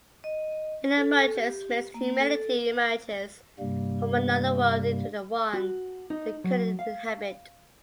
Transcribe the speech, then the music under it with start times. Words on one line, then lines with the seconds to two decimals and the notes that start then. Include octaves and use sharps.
In emergence myths humanity emerges from another world into the one they currently inhabit.
0.24 D#5
0.97 A4
1.35 G4
1.94 A#3
2.20 A4
3.59 G2 C3 G3 A#3
5.54 F#4
6.10 D#4
6.44 F#3
6.79 F5